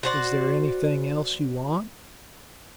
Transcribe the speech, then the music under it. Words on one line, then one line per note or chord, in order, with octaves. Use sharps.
Is there anything else you want?
F#4 C5 D5